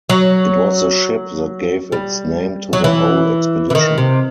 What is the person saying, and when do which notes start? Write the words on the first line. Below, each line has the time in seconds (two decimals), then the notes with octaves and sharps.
It was the ship that gave its name to the whole expedition.
0.10 F#3
1.92 G3
2.73 F#3
2.84 E3
3.70 E3
3.75 D#3
3.98 C3